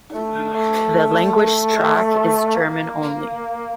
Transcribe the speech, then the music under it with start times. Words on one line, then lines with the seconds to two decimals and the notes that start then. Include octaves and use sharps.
The language track is German only.
0.13 A3
0.53 A3
2.55 A#3